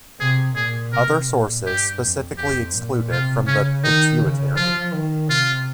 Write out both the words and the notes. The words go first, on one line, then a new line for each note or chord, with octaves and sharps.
Other sources specifically exclude it from the pituitary.
C3 G#4
A#2 G#4
C3 A#4
A#2
G2 G4
F2
F2 G4
A#2
C3 F4
C#3 C#4
D#3 D#4
C#3
F3 F4
D#3
C3 F4